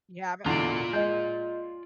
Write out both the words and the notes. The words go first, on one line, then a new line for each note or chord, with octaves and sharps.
You haven't?
E2 B2 D3 F4 D5
G#3 D#5 G6